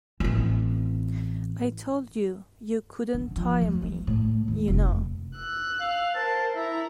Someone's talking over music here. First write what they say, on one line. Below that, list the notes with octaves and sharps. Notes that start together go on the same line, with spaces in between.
I told you, you couldn't tire me, you know.
A1 C4
D3
F3
D2
E3
A2
D#2
F1
E6 F#6
F5
A#4 C5 A5
E4 E5 A#5